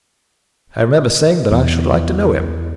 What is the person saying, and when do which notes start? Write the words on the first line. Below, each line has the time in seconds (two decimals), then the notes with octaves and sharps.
I remember saying that I should like to know him.
1.51 E2